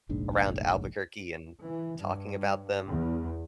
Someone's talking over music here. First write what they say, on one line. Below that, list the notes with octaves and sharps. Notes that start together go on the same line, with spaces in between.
around Albuquerque and talking about them.
F1 A#1 G#2 D4
E3
G2
E2